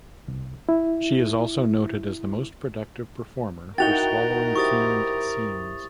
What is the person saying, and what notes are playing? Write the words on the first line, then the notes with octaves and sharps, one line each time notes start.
She is also noted as the most productive performer for swallowing themed scenes.
C2
E4
D#4 E4 F#4 A#4 G5 A6 F7 G7
E4 G4 C5 C#6 D#6 A6